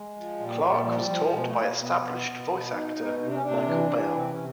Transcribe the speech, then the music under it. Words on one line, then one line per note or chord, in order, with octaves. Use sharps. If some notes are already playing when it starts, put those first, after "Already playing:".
Clarke was taught by established voice actor Michael Bell.
Already playing: G#3
F3
A#2 G3
A#2
F3
F3
G3
B2 G#3
A3
B2 A#3
B2 B3
B2
B2
B2
B2 D#4
B2
C3 D#4
D4
C#4
C3 D4
E3
E3
C3 C4
C#4
C3